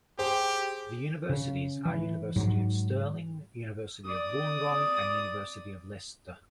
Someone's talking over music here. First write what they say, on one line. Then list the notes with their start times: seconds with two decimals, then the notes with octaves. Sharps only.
The universities are University of Stirling, University of Wollongong, and University of Leicester.
0.19 G4 G#4 C5 G5
1.29 C#3
1.85 E3
2.36 G#2 F#3
4.04 D5 D#6